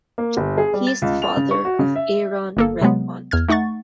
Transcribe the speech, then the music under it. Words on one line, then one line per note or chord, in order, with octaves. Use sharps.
He is the father of Aaron Redmond.
A#3
G1
G#4
G3
A6
C#2
F7
C#3
C#6
F#4
C#3
E5
G1 A#3 A4
C3 F#3 G#3 B3
E2 F6 G#6
A3 D#4 F#5 C#6 A6